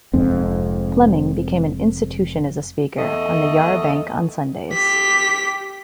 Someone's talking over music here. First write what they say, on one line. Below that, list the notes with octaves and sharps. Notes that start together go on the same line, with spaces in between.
Fleming became an institution as a speaker on the Yarra Bank on Sundays.
F1 F2 G#2 C4
E2 A3 A4 D#5
G4 B6